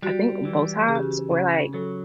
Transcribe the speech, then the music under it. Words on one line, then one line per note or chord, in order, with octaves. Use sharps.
I think Botox or, like,
G3 F#4
E3
C#3 G#4
G4
F#4
G4
C#3
F#3 A4